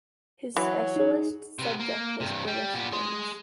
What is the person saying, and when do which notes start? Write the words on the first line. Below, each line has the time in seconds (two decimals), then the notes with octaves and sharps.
His specialist subject was 'British Birds'.
0.56 E3 F#3
0.96 D#4 G#4
1.59 C3 B3
1.80 A#3
2.20 G2 C3
2.47 G3
2.74 A#2 B3
2.92 G#4 C6